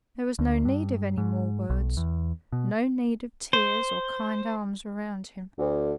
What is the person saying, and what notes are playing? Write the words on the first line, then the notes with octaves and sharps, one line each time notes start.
There was no need of any more words, no need of tears or kind arms around him.
D2
G2
G#2
B1
E2
B2
C5
D2